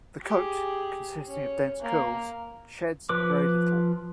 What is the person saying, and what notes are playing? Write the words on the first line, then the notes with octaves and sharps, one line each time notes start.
The coat, consisting of dense curls, sheds very little.
G4 G#4
C#4
A#3
F3 B4 D6